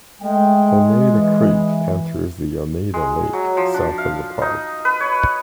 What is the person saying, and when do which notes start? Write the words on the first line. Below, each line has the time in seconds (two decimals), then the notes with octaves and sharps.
Oneida Creek enters the Oneida Lake south of the park.
0.21 G#3 A3 G5
1.13 E3
2.94 G#3
3.33 F#3
3.57 F3
3.74 D4
3.98 F5
4.42 D#4
4.85 B4
5.00 C#5